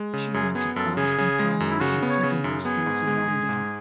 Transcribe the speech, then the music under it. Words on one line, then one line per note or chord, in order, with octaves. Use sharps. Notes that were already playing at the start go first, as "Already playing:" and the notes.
She went to Protestant primary and secondary schools in Rotterdam.
Already playing: G#3
C#3
F#2 G#4
B3 G#4
F#2 A4
C#3 G#4
C#3
G#3
F#2
E4
C#3 F#4
B3
C#5
C#3
F#2
B3 G#4
G#2
G#3
G#3
G#2